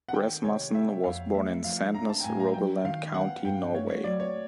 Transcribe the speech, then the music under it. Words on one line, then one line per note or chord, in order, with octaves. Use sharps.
Rasmussen was born in Sandnes, Rogaland County, Norway.
F#5
D#3 G5
C3 C#5
G#3 E5
F2 F5
A3 E5
F3 F5
D4 A#5
A5
G5
A2 G#5
A#5
F#3 G5
D#3 F5
B3 F#5
G2 G5
A3 C#5
C#5
F#3 D5
C#5